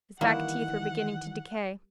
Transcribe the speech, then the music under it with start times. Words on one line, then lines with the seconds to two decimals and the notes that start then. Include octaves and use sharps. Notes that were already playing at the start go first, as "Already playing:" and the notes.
His back teeth were beginning to decay.
0.21 D#3 E3 G3 A#3 E4 F#5